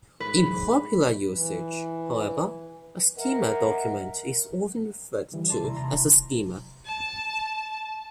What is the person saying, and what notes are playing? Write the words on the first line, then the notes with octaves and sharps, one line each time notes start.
In popular usage, however, a schema document is often referred to as a schema.
G#2 B4
E3
A#4 D#5 E5 F#5
D3 E3 G3
D5 A5 C6
D#2 C3 E4 A#5
A5 A#5 C6
D1
A5